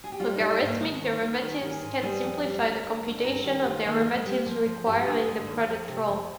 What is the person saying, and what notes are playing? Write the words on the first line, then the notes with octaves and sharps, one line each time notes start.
Logarithmic derivatives can simplify the computation of derivatives requiring the product rule.
G#4
G4
G3 F4
D#4
G3
D#4
G#2
A#3
D#2 G#3
D#3
D#3 A#3
D#3 A#4
G#4
D#3 G4
G#4
G#2
G3 G#4
F2
G3
D2 A#4
D2
D2
G2 A#4
D#3 G4
D#3 F4
D#3 A#3
A#3
F2
G#3
G3
A#3
F3 A#3
F3 F4
G2 G4
G4
D3 G#4
D3
D#2
F2
C3
F2